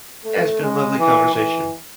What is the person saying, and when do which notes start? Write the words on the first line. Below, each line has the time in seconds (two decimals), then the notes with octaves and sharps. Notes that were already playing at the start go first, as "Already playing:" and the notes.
yeah, it's been a lovely conversation.
0.25 A3
0.62 G#3
0.98 E3
1.34 E3